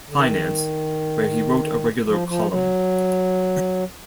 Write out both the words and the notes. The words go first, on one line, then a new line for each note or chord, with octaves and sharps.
Finance where he wrote a regular column.
D3
D#3
F3
F3
F#3